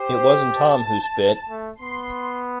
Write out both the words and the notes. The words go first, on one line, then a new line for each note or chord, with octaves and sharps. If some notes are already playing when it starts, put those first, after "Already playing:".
It wasn't Tom who spit.
Already playing: G4 C5
A5
A3
B3 C6